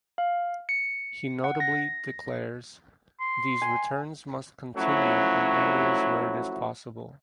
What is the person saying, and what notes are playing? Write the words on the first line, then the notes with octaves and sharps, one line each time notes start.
He notably declares "These returns must continue in areas where it is possible".
F5
C#7
F#5
A#6
C6
G#5
F3 F#3 A3 C#4 E4 F#4